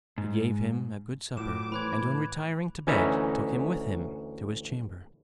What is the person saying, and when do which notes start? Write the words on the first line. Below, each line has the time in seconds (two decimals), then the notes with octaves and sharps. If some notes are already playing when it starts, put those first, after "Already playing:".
He gave him a good supper, and on retiring to bed took him with him to his chamber.
0.18 G#2
1.37 A2 F3 F#3 D6 E7
1.72 A2 E3 C5 B5 F#6 G#6
2.87 D2 E3 C#4 D#4 E5